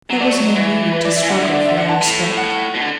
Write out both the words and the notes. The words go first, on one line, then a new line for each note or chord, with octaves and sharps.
There was no need to struggle for their respect.
F#3
A3 D5
F#3
E3
B4
D5
E5
E3
D3 F#5
E5
D5
E5
F#5
A5
A2
F#5
B2
D3